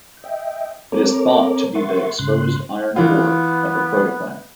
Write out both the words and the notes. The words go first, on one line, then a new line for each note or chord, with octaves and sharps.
It is thought to be the exposed iron core of a protoplanet.
D#5 E5 G5
C4 A4 A#4 C#5 A#5 D6
A#4 E5 F#5 C6 C#6 A6
G#2 C#3 C6 F#6
E3 B3 F4